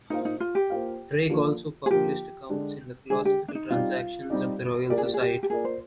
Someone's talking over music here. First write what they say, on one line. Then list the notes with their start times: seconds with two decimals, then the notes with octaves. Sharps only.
Drake also published accounts in the "Philosophical Transactions" of the Royal Society.
0.10 A#3 D#4 F4 C5 F5
0.25 D#4
0.40 F4
0.55 G4
0.70 A#3 F4 C5 F5
1.30 D3 F3 A#3 F4
1.86 G#4
1.90 D3 F3 A#3 F4 G4
2.50 D3 G#3 D4
3.10 D3 G#3 D4 G#4
3.25 G4
3.48 D4
3.55 D#4
3.71 G3 C4 D#4 F4 G4 D5
4.30 G3 C4 D#4 G4 D5
4.89 A#3 F4 G4 A#4 D5
4.98 G#4
5.06 G4
5.14 G#4
5.21 G4
5.43 G4
5.50 A#3 F4 G#4 A#4 D5
5.65 C5